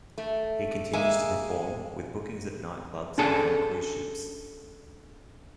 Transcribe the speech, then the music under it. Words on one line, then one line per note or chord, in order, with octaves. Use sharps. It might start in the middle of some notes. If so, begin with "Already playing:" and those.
He continues to perform, with bookings at night clubs and on cruise ships.
A3
G#3 A#3 E5 G#5
C#4 D4 G#4 A4 G#5 A5